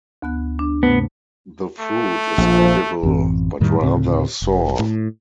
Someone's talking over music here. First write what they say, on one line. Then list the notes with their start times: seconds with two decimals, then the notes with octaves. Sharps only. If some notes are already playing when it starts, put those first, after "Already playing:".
The fruit is edible but rather sour.
0.22 D2 B3 F#6
0.59 D4
0.83 G2 C3 A3 B3
1.80 A3
2.38 A#1 F3
3.03 A1 F#2 E3 C4
3.60 F2 A2 D#3 G3
3.80 D2 A2 C#3 C4
4.42 F1
4.79 A2